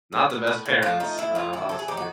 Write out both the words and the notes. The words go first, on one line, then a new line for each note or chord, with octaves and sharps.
not the best parents, uh, honestly."
F#3
B3
A2
A2
F3 F4
A3 D#4
A2 E4
A2 F4
D#3 E4
F#3 A4
G#4
D#4 G4
F#4